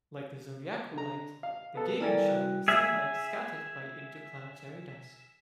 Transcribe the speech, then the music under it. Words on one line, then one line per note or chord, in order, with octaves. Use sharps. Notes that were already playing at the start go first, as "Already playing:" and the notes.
Like the zodiacal light, the gegenschein is sunlight scattered by interplanetary dust.
D3 A#5
F5
B3 A4
E3 G3 A4 A#4 D5 G#5
G3 F#4
G#4 E5